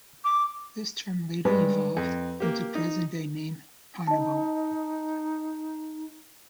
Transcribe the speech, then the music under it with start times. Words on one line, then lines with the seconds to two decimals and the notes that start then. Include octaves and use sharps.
This term later evolved into present day name Panabo.
0.24 D6
1.45 G2 G#3 B4
1.97 F2
2.40 A#3 G4
2.75 D#4
4.07 D#4 D#5 A5